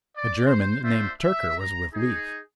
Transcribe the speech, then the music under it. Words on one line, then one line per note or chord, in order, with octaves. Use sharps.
A German, named Tyrker, was with Leif.
D5
C5
A3 D4 F4 C5 E5
E5
A#5
D#4 G#4